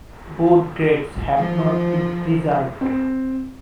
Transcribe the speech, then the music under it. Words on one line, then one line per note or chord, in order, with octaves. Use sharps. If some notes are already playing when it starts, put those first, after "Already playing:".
Both graves have not been preserved.
F3
C4